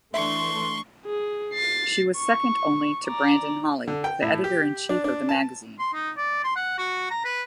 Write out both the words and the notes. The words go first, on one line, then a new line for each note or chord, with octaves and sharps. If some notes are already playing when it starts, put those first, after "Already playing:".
She was second only to Brandon Holley, the editor-in-chief of the magazine.
E3 A3 D4 E5 C6 C#6
G#4
A6 C7
C#6
D5 A#5
D3
G5
A2
G4
D4
D4
A5
C6
D#4
D5
C6
F#5
F#4
A#5
B4